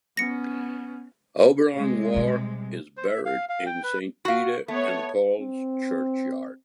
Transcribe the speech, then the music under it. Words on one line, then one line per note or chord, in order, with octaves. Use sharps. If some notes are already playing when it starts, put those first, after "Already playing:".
Auberon Waugh is buried in Saint Peter and Paul's churchyard.
B3 C#4 A#6 C#7
C3 G#3
B2 G3
C5
E5
F5
F5
G5
B4
F#4 F5
A3 B3 C#5
C4